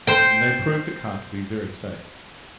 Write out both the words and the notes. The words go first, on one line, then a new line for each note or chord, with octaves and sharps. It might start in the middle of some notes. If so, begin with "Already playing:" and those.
They proved the car to be very safe.
C5 G5